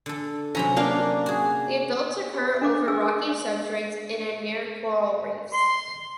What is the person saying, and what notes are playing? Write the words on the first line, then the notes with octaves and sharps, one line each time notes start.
The adults occur over rocky substrates and in near coral reefs.
D3 A4
C3 F#3 C#4 A#5 B5
A#3 D4 F5
F#4 G#4
D4 A4 D6
D4 G#4 E6
C6